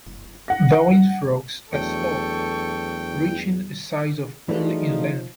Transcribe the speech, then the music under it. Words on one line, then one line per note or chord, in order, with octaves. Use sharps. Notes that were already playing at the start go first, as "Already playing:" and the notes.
Darwin's frogs are small, reaching a size of only in length.
F#5 A#6
E2 F#3 A3 D4 A4 G5 C#6
E3 F3 A3 D#4 F#4 G#4 D5